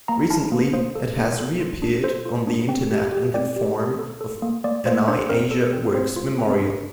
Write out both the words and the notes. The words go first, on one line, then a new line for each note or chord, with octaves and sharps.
Recently, it has reappeared on the Internet in the form of an iAsiaWorks Memorial.
A#3 A#5
E4 A5
A#3
A#3 C5
A4
A#3
A4
F4
D4
A4 C5
F4
D4
C4
G4
G4
C4 D5
G4
G4
A4
A4
A#3
A#3 D5
A#3 C5
D4 C5
C4 A#4
A4
C4
C4 C5
F4
C4
D4